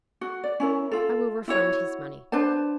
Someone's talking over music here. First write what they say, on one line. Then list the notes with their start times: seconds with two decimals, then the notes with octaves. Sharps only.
I will refund his money.
0.21 F#4
0.44 D5
0.60 C#4 E4 A#4
0.92 F4 A4
1.48 E4 F#4 C#5
2.32 D4 B4 C5 A5